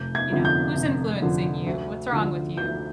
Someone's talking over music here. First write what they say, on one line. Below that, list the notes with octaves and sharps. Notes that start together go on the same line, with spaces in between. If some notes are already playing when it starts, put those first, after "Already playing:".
you know, "Who's influencing you? What's wrong with you?
Already playing: F1 G6
G#6
F2 D3 F3
G6
F1
F2 D3 F3
D2
D3 F3
D2 G6